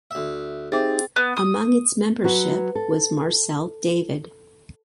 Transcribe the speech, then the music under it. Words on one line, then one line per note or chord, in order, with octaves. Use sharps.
Among its membership was Marcel David.
D2 E5
C4 D#4 G4 G#4 C5 E5 D6 A6
B3
D#6
F#3 F#4 B4
A4